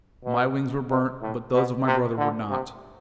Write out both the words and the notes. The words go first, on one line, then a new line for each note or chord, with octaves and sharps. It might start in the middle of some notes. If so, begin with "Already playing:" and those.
My wings were burnt, but those of my brother were not....
B2
B2
A2
B2
C3
D3
C3